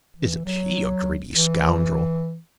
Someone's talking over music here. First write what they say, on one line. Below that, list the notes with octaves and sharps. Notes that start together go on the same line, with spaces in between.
Isn't he a greedy scoundrel?
E3
F#3
E3